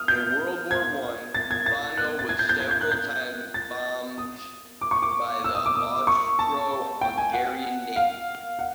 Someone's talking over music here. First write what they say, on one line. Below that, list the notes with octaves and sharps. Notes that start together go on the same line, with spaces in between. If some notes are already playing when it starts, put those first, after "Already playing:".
In World War One Fano was several times bombed by the Austro-Hungarian Navy.
Already playing: D#6 F6
G6
G#6
A6
G#6
A6
F#6
A6
G#6
G6
G6
G#6
G6
F#6
G6
A6
D#6
D6
C#6
D6
E6
D#6
D6
D#6
C#6
A5
G5
G#5
F#5
F5
F#5